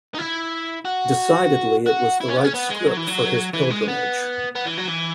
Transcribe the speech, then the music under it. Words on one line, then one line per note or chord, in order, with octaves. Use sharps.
Decidedly it was the right scrip for his pilgrimage.
D#4
E4
F#4
F#4
E4
C#4
B3
C#4
B3
G#3
F#3
E3
F#3
E3
G#3
B3
B3
E3
F#3
E3